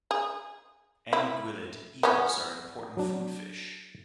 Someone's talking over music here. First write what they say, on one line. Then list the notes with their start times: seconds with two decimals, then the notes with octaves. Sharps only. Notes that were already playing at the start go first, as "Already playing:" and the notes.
Anguillid eels are important food fish.
0.11 G#4
1.13 E4
2.03 B3 C#4
2.97 F#3 D4